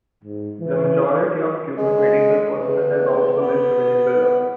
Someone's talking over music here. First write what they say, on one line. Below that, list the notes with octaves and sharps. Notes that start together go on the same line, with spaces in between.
The majority of Cuban medical personnel has also left Venezuela.
G#2
E3
G#3
E2
B3